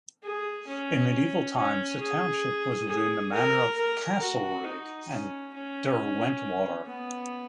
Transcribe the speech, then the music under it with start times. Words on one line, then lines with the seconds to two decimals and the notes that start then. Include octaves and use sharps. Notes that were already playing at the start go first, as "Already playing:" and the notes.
In medieval times the township was within the manor of Castlerigg and Derwentwater.
0.23 G#4
0.68 C#4
1.56 C#4
2.00 G#4
2.88 G#4
3.33 A#4
3.77 A#4
4.22 F#4
4.65 D#4
5.10 C#4
5.54 C#4
6.86 B3